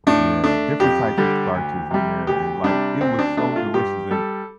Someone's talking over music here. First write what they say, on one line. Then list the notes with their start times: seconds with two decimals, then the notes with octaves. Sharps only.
Yeah, different types of starches in there, and like, it was so delicious, and,
0.07 A2 D4
0.43 A3 D4
0.80 F2 G4
1.17 D3 G3
1.54 D2
1.90 C3 G3
2.27 D2 G4
2.64 C3 G3 D4
3.01 D2 C4
3.19 D4
3.37 C3 A3 D4
3.56 F4
3.74 G2 G4
4.11 G3 A4